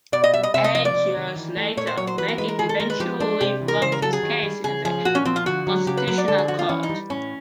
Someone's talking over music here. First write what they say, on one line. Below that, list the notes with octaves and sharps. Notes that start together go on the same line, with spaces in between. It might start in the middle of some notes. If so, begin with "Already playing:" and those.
Eight years later, Makate eventually won his case in the Constitutional Court.
B2 D5
D#5
G3 E5
D#5
C3 E5
D#5
F3 D#5
D5
C3
D#3
E3
A3
A#2 C#5
C5
F#3 C#5
C5
E3 B4
A#4
G#3 B4
A#4
D#3 G#4
A4
G#3 A#4
B4
F3 G4
G#3 D4
C3 G4
E3
A#4
C#3 C5
A#4
F#3 A4
G#4
D#3
G3
C#3 G#4
F3 G#4
A#2 F#4
C#4
F3 C4
F4
D3 F#4
F#3
C#3 G4
B4
F#3 B4
D5
D3 A4
G#4
F3 F#4
F4
E3 C#4
D#4
G3
A2 C#4